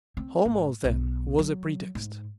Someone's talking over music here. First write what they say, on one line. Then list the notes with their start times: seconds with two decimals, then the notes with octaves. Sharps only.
Homo, then, was a pretext.
0.17 C4
0.45 G#1
0.84 B1
1.39 F#3
1.95 G#2